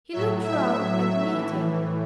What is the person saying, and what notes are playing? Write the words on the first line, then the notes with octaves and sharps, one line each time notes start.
He looked round at the meeting.
A2 F#3 E5
E5
A2 E3